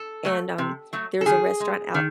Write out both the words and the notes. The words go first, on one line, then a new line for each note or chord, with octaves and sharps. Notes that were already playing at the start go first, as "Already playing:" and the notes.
and, um, there's a restaurant out
Already playing: A4
F#3 A3
C3
F#3 A3
A4
D#3 G#4
G#3
D#3